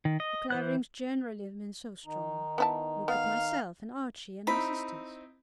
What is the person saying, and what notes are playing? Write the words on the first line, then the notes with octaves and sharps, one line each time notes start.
The Claverings generally have been so strong. Look at myself and Archie, and my sisters.
D#3
D#5
E3 C5 F#6
D#3 D#4
B3 E4 A5
B3 F5
C4 D#4 E4 B5